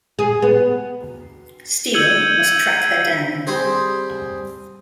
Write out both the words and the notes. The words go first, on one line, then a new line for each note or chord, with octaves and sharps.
Steele must track her down.
G#4
B3
E6 G6 G#6 C#7 D#7 F#7
G3 C4 G#4 C5